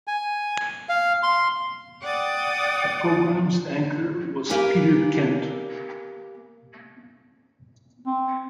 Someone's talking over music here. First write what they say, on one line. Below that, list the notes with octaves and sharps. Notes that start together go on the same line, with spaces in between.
The program's anchor was Peter Kent.
G#5
F5
C6
D5 F#5 G5 D6 D#6 A6
A#3 G4 A#4 B4 G#5
C4